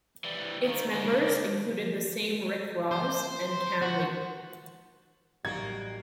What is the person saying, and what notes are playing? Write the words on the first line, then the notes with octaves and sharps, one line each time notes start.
Its members included the same Rick Rozz and Kam Lee.
E3 G3
D#2 D#3
C#3 D4
C5
F#4
A1 F#3 G3 A#3 D#4 F#4 G#6